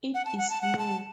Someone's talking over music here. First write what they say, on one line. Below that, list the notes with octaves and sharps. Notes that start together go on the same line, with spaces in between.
It is slow.
F#5
A5
F#5
A5
F#5
A5